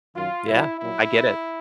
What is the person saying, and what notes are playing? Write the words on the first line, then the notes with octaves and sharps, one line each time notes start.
Yeah, I get it.
F#2 D#3 F#3 F4
B2 F#3 E4
A#2 F#3 E4